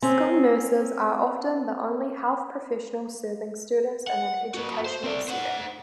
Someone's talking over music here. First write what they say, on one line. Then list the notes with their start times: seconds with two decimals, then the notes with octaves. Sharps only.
School nurses are often the only health professional serving students in an educational setting.
0.02 C4 C#4
4.07 F#5
4.55 A#3 F#4
4.85 C5
5.03 C4 D5
5.28 C5 F#5